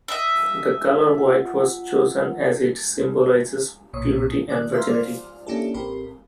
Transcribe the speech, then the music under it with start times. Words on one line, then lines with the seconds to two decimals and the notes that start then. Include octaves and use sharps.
The colour white was chosen as it symbolises purity and virginity.
0.08 D#5 E5
1.18 F4 F#5
3.93 B1 A#2 C#5 D#6
4.48 D#3 D5 F#6
4.73 B4 E5 F5 A#5 C6
4.87 F4 C5 D5 F5
5.47 A#3 C#4 D4 E4 G4 A4
5.74 A1 C4 G4 A#4 B5